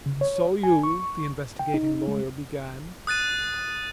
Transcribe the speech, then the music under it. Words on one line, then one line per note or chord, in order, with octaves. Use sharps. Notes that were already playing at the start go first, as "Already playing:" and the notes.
"And so you--" the investigating lawyer began.
C#3
C#5
G#5
C#6
G5
D#4
G#3
D#6 F#6 A6 D#7